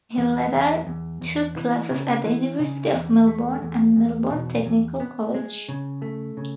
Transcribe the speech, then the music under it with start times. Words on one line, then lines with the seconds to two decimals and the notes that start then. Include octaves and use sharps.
He later took classes at the University of Melbourne and Melbourne Technical College.
0.18 E2
0.52 E2
0.87 E2
1.21 E2
1.56 E3
1.90 C#3
2.24 E3
2.59 C#3
2.93 E2
3.27 A3
3.62 E2
3.96 E2
4.30 B2
4.66 E2
5.00 B3
5.34 G#3
5.68 C#3
6.02 A3
6.37 C#3